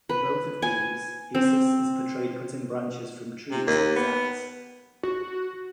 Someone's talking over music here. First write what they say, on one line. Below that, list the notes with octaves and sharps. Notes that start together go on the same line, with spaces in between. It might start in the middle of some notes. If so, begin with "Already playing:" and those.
In both of these, Esus is portrayed cutting branches from trees with his axe.
B4
G#5
C4
C3
D#2
B3
F#4